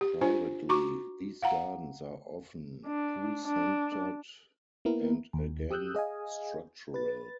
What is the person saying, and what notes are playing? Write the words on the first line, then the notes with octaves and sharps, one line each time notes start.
Privately, these gardens are often pool-centred and, again, structural.
G4
D4 F4 C5 G#5
F#4 A#5 C#6 D6
F5 F#5 A#5
D4
D4
A#3 B3 E4 A#4
D#2
G4 D#6 E6 F#6 G6
G#4 D#5 F5 G#5
B4 A6